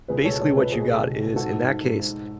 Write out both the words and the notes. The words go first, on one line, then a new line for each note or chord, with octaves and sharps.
basically what you got is, in that case,
C#2 G#4 B4
B2 A4 C#5
C#2 A4 C#5
C#2 B4 D#5
B2 G#4 B4
B2
C#2
B2
G#2 F#4 A4
G#2
G#2
G#2
G#2